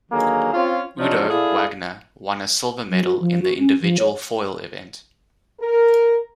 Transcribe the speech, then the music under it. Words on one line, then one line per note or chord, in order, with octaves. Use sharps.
Udo Wagner won a silver medal in the individual foil event.
D3 D#3 F#3 A#3 G#4
C4 C#4 F4
C3 F3 F#3 D4 D#5
E4 G#4 A4 D5 F5
F#3
F#4
F3
F#4
C#4
F3
C#5
A#4